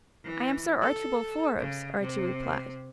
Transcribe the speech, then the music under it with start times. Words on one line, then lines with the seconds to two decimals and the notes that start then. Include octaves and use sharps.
"I am Sir Archibald Forbes," Archie replied.
0.24 E3
0.82 A4
1.59 C#3
2.01 C3